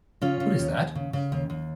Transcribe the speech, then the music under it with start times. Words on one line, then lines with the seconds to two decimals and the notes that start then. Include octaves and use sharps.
What is that?
0.21 C#3 C#4 F4
0.40 C#3
0.59 D#2
0.77 D#2
0.95 C#3
1.13 C#3
1.32 D#2
1.50 D#2